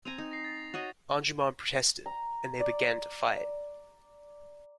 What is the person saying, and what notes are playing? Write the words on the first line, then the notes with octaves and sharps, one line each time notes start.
Anjuman protested, and they began to fight.
C4 G#5 A#5 F7
D#4
A#6 C7
A6
F#4 C#5 D#5
A#5
D5